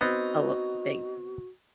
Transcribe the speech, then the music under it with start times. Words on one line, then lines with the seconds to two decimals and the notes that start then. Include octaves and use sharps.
a litt big
0.01 B3 C4 D#4 F#4